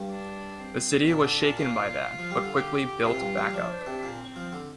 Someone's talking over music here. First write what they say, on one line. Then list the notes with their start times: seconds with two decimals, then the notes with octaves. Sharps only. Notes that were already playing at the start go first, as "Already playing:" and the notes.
The city was shaken by that, but quickly built back up.
Already playing: G2
0.09 D4
0.58 C4
1.07 A#2 D4
1.25 D3
1.41 A#2
1.57 A#2 F4
2.19 F3
2.31 G3
2.44 D3
2.55 G4
3.05 C3 F4
3.14 A#2
3.21 G2
3.38 G3
3.54 F3 D4
3.86 C3
4.03 A#2 C4
4.36 F3
4.53 D3